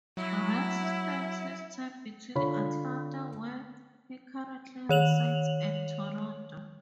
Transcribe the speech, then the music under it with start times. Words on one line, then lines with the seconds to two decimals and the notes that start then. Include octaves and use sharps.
Rams spends his time between Atlanta, where he currently resides and Toronto.
0.17 F#3 E4
2.35 D3 F4 C#5 B5
4.89 D#3 C#5 F7 F#7